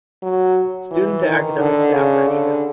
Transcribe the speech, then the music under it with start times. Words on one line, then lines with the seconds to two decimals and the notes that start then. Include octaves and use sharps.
Student to academic staff ratio.
0.23 F#3
0.91 E3
1.25 D#3
1.60 D3
1.94 C#3
2.28 D3